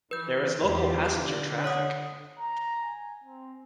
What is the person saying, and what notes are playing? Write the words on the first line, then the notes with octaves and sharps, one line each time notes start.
There is local passenger traffic.
E3 B4 G6
E2 F4 G4
D3
C#5 F#5 D#6
A#5
G#5
C4